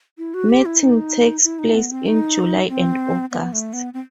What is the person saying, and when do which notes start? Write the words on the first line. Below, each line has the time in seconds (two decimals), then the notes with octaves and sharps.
Mating takes place in July and August.
0.18 E4
0.34 F#4
0.49 G4
0.65 E4
0.81 D#4
1.44 E4
1.59 D#4
1.75 B3
1.91 C4
2.06 D#4
2.69 C4
3.31 B3
3.53 A3
3.73 B3
3.94 C4